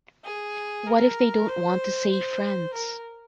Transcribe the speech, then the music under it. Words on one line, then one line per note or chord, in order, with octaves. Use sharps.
What if they don't want to say friends?
G#4
A#4
C5
C5
A#4